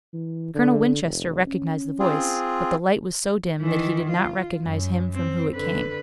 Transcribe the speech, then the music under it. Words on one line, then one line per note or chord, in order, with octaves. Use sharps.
Colonel Winchester recognized the voice, but the light was so dim that he did not recognize him from whom it came.
E3
D3
F1
C#4
C4 F4 G#4
D#3 E3
F4
F#2
C4
D3 B4